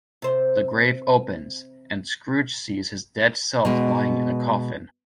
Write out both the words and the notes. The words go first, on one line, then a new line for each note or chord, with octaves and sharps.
The grave opens, and Scrooge sees his dead self lying in a coffin.
C3 C5
B2 G#3